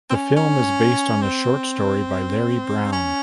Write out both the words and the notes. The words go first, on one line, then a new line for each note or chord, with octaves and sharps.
The film is based on the short story by Larry Brown.
C4
C#4
C#4
C4
C#4